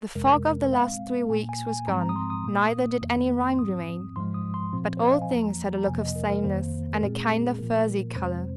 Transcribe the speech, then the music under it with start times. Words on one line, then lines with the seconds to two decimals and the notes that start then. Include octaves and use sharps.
The fog of the last three weeks was gone, neither did any rime remain; but all things had a look of sameness, and a kind of furzy colour.
0.15 F2 C3 G#3 A#4
0.73 A#2 G#3 C4 F5
1.30 A#2 A#3 G#5
1.49 G#5
1.68 G#5
1.87 G#2 F3 G#3 C4 A#5
2.01 A#5
2.09 D#6
2.16 C6
2.30 D#6
2.44 A#2 A#3
3.01 F2 D#3 A#3
3.48 C6
3.58 G#2 F3 C4 D#6
4.16 G#2 F3 G#3 C6
4.34 D#6
4.54 C6
4.73 A#2 F3 C4
4.97 C5
5.05 D#5
5.13 F5
5.22 G#5
5.30 F2 F3 A#3 A#5
5.78 A#5
5.87 F2 C3 F3 A#3 G#5
6.02 D#5
6.16 A#4
6.30 A#4
6.44 F2 D#3 A#3 C5
6.94 A#4
7.02 A#2 G#3 C4 G#4
7.59 A#2 F3 A#3 A#4
8.16 F2 C3 G#3 C4 C5